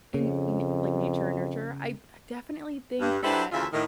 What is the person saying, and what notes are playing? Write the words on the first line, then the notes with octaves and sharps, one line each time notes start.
And n like nature and nurture, I I definitely think that
F2 C#3
G2
D4 E4 G4 A4 B4 C5
D2 C#3 E3 F4 E5
A2 D#3